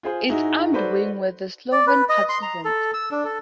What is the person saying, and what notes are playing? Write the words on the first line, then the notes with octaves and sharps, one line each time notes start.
Its armed wing were the Slovene Partisans.
F4 G#4 C5
G#2 D#4 E4 F#4 G#4
F#4 A4 B4 C5 D5
D5
B4
D#5
C6
A#5
A4
E6
D4
A4